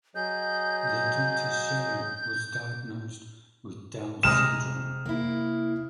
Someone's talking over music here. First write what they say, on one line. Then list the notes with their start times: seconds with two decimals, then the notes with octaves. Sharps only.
Their daughter, Shelley, was diagnosed with Down syndrome.
0.15 F#3 G#4 D#5 G6
4.23 C3 G#3 A#5 D#6 F6 E7
5.05 A#3 E4